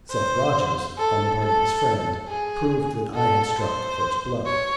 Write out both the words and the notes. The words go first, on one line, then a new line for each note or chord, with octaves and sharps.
Seth Rodgers, on the part of his friend, proved that I had struck the first blow.
C5
A4
A4
G#4
A4
C5
C#5